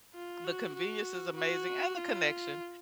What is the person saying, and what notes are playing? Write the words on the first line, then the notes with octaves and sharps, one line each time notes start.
The convenience is amazing, and the connection.
F4
F#4
F#4
F#4
F4